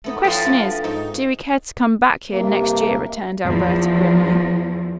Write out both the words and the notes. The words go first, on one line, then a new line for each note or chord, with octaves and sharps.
"The question is, do we care to come back here next year?" returned Alberta grimly.
A3 B3 D#4
A2 F3 B3 C#5
A3 D4 F#4
G#2 D#4 C#5 G5
G2 C3 A#3
E2 F3